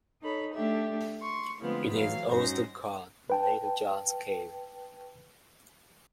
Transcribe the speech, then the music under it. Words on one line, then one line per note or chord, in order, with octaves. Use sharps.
It is also called Little John's Cave.
D#4 A4 C#5 B5
A3 D4 G4 A4 E5
C6 C#6
D3 F3 G#3 A3 B3 C4
E3 F#3 F5
G2 C#4 D#4 F#4 C5 A#6
B4 G5 A5